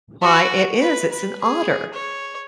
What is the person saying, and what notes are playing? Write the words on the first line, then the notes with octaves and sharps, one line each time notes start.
why it is, it's an otter."
F#4
B4
B4
G#4
C#5